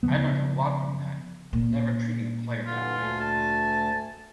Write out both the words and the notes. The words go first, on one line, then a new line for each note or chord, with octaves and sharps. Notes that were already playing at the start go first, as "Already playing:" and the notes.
I learned a lot from that, never treating a player that way.
C#3 F3 B3
A#2
G2 D3 E3 F4
D2 A3 G#5
A5